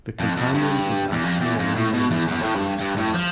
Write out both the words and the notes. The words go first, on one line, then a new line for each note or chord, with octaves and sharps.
The companion is actually an unrelated background star.
F2
F2
G2
E2
F2
E2
F2
A2
B2
E2
E2
A2
G2
G2
A2
F3